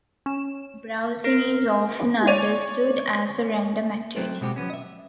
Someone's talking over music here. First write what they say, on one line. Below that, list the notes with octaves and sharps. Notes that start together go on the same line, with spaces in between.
Browsing is often understood as a random activity.
C#4 E7
A#4 A#6 D7
C#5 D5 D#7 F7
F#3 A3 C4 D#4
B2 G#3 C4 F#4 G4
F3 F#3 B3 C#4
D#5 E5